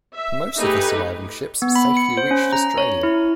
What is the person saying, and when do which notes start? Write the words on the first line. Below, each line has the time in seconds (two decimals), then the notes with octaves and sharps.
Most of the surviving ships safely reached Australia.
0.16 E5
0.58 A3 D#4 G4 G#4 B4 B5
1.62 B3
1.76 B5
1.97 C#7
2.17 C5
2.31 C#4
2.53 A#5
2.78 C#5
3.03 E4